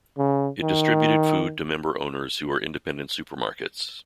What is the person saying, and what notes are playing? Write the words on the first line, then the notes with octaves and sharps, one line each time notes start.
It distributed food to member owners who are independent supermarkets.
C#3
D#3